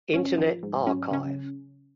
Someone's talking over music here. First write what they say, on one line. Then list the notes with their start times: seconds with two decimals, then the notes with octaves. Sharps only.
Internet Archive.
0.13 G#1 C#4
0.38 F3
0.63 G#2
0.87 F#3 C#4
1.11 C#3 C#4